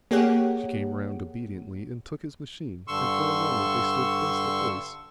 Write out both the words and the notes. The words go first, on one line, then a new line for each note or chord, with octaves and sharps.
She came round obediently and took his machine, and for a moment they stood face to face.
A#3 G4 G#4 C#5 F#5
G2 D3 C6 C#6 E6